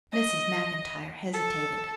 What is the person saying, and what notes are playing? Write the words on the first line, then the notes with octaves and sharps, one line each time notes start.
Mrs. MacIntyre hesitated.
D#5
A4